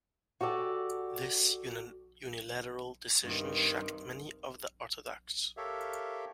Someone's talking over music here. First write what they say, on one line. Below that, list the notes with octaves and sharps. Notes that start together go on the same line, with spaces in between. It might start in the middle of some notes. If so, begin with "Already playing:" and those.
This unilateral decision shocked many of the Orthodox.
F#4 G4 A4 D5
G2 C3 D#3
G4 A4 A#4 C#5 E5 F5